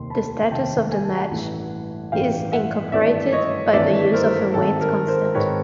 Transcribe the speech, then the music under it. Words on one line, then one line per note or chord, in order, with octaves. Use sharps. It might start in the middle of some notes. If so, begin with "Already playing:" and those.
The status of the match is incorporated by the use of a weight constant.
Already playing: F1 D#2 D#3 C6
A5 B5
F1 D#2 D#3 G5 A5
G#5
A5
F#5 G#5
A1 G2 E3 A3
A1 G2 E3 A3 F5 G5
E5 F#5
G#1 G2 E3 A3 D5 E5
C#5 D#5
G#1 G2 E3 A3 D5 E5
A#4 C5
G#1 G#2 D#3 A4
A#4
A#4 C5
G#1 G#2 D#3 B4 C#5